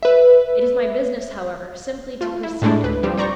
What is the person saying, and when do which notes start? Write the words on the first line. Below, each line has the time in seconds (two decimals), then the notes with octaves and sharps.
It is my business, however, simply to proceed.
0.03 B4 E5
2.21 A3 F4
2.43 E4
2.62 A2 G#3 A3 D4 E4
2.84 D2 B4
3.03 F3 G3 C4 G4
3.17 C5 D5 A#5 C#6 G6 A#6